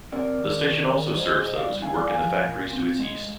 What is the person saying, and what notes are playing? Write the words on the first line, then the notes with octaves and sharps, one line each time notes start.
The station also serves those who work in the factories to its east.
C4 A#4 D5
D#3
D#3
D#3
G3 C5 D#5
G#4 C5
C3 C5 D#5
D5 F5
G3
F5 G#5
G3 D5 F5
F5 G#5
F3
A#2
C4
G#3